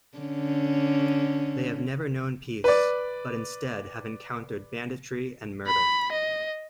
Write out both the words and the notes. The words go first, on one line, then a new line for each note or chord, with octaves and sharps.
They have never known peace, but instead have encountered banditry and murder.
D3 C#4
B4 D5
B5
D#5